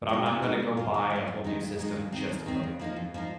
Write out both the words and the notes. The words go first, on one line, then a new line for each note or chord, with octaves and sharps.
but I'm not gonna go buy a whole new system just to play that game.
G#3 D#4
C3
G#3 D#4
D#3
A#3 F4
D#3
F4
A#3
F2
D#3 G#3 D#4
F2
D#3 G#3 D#4
D#2
D#3 C4
D#2
D#3 C4
F2
F3 A#3 D#4
F2
F3 A#3 D#4